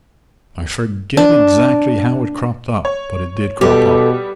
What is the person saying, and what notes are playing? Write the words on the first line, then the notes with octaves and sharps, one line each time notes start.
I forget exactly how it cropped up, but it did crop up.
D4
C#5
B2 G3 B3 G4 A4